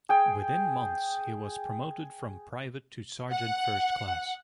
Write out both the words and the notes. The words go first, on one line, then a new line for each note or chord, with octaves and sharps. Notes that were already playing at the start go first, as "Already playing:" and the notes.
Within months, he was promoted from private to sergeant first class.
G#4 G5
F#5